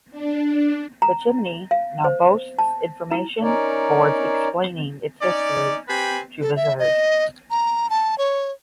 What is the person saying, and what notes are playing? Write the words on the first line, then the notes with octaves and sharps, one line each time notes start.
The chimney now boasts information boards explaining its history to visitors.
D4
D4
A#5
F5
C5
A5
E4
C#4 D#4 A#4 C#5 D5
C#4 D#4 D5
C4 G4 B4 G#5 B5
A4
E5
D#5
A#5
A5
C#5